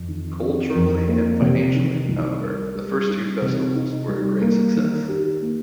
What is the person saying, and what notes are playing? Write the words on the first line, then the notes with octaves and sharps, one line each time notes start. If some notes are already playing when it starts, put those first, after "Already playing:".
Culturally and financially, however, the first two festivals were a great success.
Already playing: F2
D#3
C4
F2
A#3
C3
D#3
C2
A#4
G3
D#4
C3
D#4
G3
A#3
D#3
G4
A#3